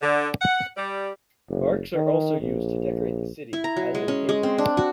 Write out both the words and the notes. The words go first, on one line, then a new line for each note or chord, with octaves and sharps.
Marks are also used to decorate the city, as in pavements.
D3
F#5
G3
F#1
D#3
A#1
E4
A#5
F#3
G#3
C#4
G#3
C4
D4
F#4